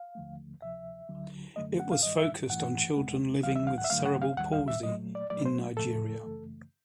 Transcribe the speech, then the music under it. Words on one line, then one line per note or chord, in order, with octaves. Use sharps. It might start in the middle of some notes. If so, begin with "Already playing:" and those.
It was focused on children living with cerebral palsy in Nigeria.
Already playing: F5
D#2 D3 F3 A3
D2 C3 F3 E5
D2 D3 F#3
F#2 D3 F#3 A3 D#5
F#5
F5
G2 D#3 G3 D#5
E5
G2 E3 A3 F#5
E2 B2 G#3
D2 C#3 E3 G3 F5
E5
F5
F#5
E5
G2 D3 F#3 A3 F5
F#5
F5
D#2 D#3 G3 F#5
F5
E5
A#2 F#3 A3 D#5
D5
A#2 F#3 A3 D5
C5
E2 C#3 F3 A3 A4
F#2 C#3 E3 A3